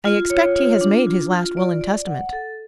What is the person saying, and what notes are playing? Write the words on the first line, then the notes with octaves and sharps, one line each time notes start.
"I expect he has made his last will and testament."
F4
C#5
F4
D4
F4
F4
D5
D5
F#5
A4